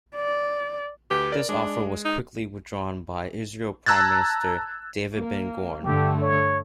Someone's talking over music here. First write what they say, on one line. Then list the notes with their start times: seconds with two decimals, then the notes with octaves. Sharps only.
This offer was quickly withdrawn by Israeli Prime Minister David Ben-Gurion.
0.16 D5
1.11 D2 G4 B4
1.32 A#4 D5
1.49 G#3 D4
2.05 D#4
3.86 A5 A#5 E6 F#6 G#6 A6
5.14 A#3
5.85 G2 D3 A3 G4
6.21 C#5